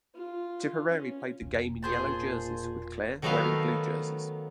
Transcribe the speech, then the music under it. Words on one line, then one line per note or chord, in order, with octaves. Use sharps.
Tipperary played the game in yellow jerseys with Clare wearing blue jerseys.
F4
C#4
E1
A#2 G#4 C5 A5
D#3 F#3 A3 B3 B4 F5